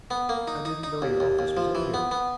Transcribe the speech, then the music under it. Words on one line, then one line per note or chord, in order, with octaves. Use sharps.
"I didn't know your office was up here."
B3
A#3
D#4
D#4
D#4
D#2
D#2
D#2
F3
E3
B3
B3